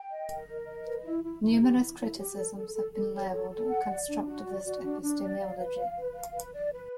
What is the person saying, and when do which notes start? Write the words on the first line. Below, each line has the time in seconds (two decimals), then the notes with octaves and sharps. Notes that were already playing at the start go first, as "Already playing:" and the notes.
Numerous criticisms have been leveled at Constructivist epistemology.
Already playing: G5
0.10 D#5
0.29 A#4
0.48 A#4
0.66 D#5
0.86 B4
1.04 E4
1.23 E4
1.43 E4
1.61 G4
1.80 E4
1.99 E4
2.18 G4
2.37 A4
2.56 A4
2.75 A4
2.93 A4
3.13 C#5
3.31 A4
3.50 A4
3.69 F#5
3.88 D5
4.07 D4
4.26 F#4
4.45 D5
4.64 F#4
4.83 D4
5.02 D4
5.21 D5
5.40 F5
5.59 B4
5.77 F5
5.97 B4
6.15 F5
6.34 B4
6.53 D5
6.73 B4